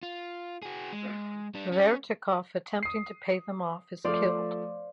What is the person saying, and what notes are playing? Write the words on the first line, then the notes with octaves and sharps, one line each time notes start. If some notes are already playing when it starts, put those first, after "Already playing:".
Vertikoff, attempting to pay them off, is killed.
F4
F#4 G#4
G#3
G3 D4
C#4
D#6 C7
F3 A3 C5 D5 F5